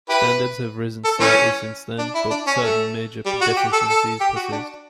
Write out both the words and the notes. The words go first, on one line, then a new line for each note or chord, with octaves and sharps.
Standards have risen slightly since then, but certain major deficiencies persist.
E4 G4 B4
A4
E3 A3 C#4
D4
E4
D4
C#4
A3
G3
F#4
G4
A4
A4
G4
F#4
D4